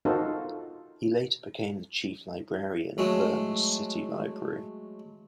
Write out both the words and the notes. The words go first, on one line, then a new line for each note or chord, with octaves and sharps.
He later became the chief librarian of Bern's city library.
D#4 F4 F#4 A4 A#4 C5
F#3 G#3 A3